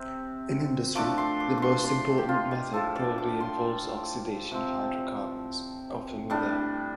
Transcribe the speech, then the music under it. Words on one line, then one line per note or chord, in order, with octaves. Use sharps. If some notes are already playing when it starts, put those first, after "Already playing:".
In industry, the most important method probably involves oxidation of hydrocarbons, often with air.
Already playing: C3 C4
F3 A3 D4 D6
C6
D6
C6 D6
C6
G4
F4
G4
A2 F3 D4 A4
D5
D6
C6
C3 F3 C4
A2 G3 D4